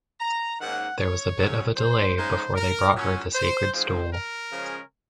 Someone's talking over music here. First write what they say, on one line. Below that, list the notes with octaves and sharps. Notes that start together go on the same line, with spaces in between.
There was a bit of a delay before they brought her the sacred stool.
A#5
G#2 D#3 A#3 C#4 F#5
C#5
C3 F#3 C#4
C5
C#3 G#3 D#4 C5
A#4
A#2 F#3 C#4
C5
G#2 F3 G#3 C4 C5
A#4
C#3 F3 G#3 C#4